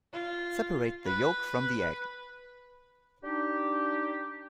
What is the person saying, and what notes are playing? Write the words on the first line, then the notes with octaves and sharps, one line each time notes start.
Separate the yolk from the egg.
F4
B4
D4 D#4 G4